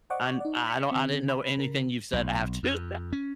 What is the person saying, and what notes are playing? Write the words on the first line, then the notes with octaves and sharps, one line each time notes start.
I'm I don’t I didn’t know anything you’ve said after that.
C5 D5 D#5 F#5 C#6 D6
D#4 D5
B6 C#7
D3 C4
B5
C#3 A#4
B1
F2
C#4